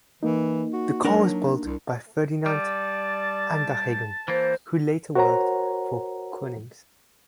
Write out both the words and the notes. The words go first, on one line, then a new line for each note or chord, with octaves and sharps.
The car was built by Ferdinant Anderheggen, who later worked for Konings.
E3 A#3 D#4
F#4
F#3 D4 A#4 F#5
C2
G3 D5 A5
E3 A#3 C5
F#4 A#4 C5 C#5 F#5 A#5